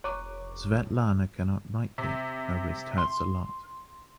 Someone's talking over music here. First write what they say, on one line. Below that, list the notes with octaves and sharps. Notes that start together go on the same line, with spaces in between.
Svetlana cannot write yet; her wrist hurts a lot.
F1 C#5 A#5 C#6 D6
A2
C3
C6